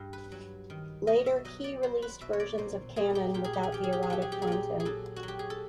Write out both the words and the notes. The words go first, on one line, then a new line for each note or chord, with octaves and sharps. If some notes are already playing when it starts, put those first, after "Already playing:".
Later, Key released versions of "Kanon" without the erotic content.
Already playing: G2
B4
F#3
D#3
B2 D#5
E5
F#3 D#5
D5
F#3 C5
B4
B2 E5
C#5
D5
A#2 C5
A#2 G#4
G4
A#2 G4
G#4
G4
G#4
F3 G4
G#4
G4
G#4
F#3 G4
G#4
G4
G#4
A#2 G4
G#4
F#3 A4
F#4
F#3
G4
G#4
A4